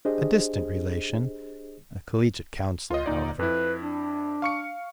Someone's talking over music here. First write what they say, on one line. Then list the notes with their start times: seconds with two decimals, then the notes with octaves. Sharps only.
A distant relation--a collegiate counsellor, however.
0.05 D4 G4 G#4 C5 D#5
2.91 F4 D#5
3.06 A#2 D3 D#4 D5
3.39 F2 E4 B4
3.82 D4
4.42 F5 C#6 C#7